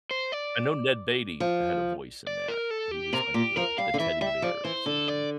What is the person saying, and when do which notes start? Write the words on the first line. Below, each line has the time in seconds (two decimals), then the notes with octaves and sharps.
I know Ned Beatty had a voice in that. He was like the the teddy bear or something.
0.11 C5
0.32 D5
1.40 F3
2.27 D5
2.48 A#4
2.71 A4
2.91 G4
3.13 C3 A#4
3.34 A#2 G4
3.56 F3 A#4
3.78 G3 F5
3.94 D3
3.99 E3 E5
4.21 G3 E5
4.42 F3 D5
4.64 E3 C5
4.86 D3 A4
5.08 D5